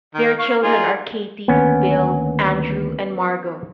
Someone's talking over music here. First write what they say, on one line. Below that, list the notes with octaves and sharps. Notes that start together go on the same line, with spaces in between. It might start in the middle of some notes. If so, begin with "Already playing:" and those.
Their children are Katie, Bill, Andrew and Margot.
D#3
F5 C#6
D#4 F4 G#4
D2 D#3 A#3 B3 C#4